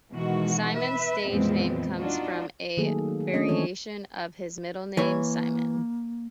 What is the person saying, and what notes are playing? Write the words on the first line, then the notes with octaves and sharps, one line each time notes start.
Cymone's stage name comes from a variation of his middle name, Simon.
B2 D#3 E3 G#3 F#4
B4 E5
F2 A#2 E3 G#3 B3 C4
D4 D#4 F4 F#4
D#3 F#3 A3 A#3 G#4 A4
G#4
A3 C#4 D4 D#5
D#3 E3 G#3 C4 A4 C#5
E3 A#3 C#5